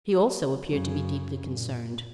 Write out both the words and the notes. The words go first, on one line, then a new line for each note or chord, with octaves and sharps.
He, also, appeared to be deeply concerned.
F#2 C#3
A#2